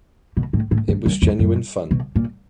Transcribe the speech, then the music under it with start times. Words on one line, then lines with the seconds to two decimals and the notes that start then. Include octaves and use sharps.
It was genuine fun.
0.37 B2
0.53 A2
0.71 A2
0.88 G2
1.06 F#2
1.22 F2
1.39 F#2
1.91 B2
2.16 A#2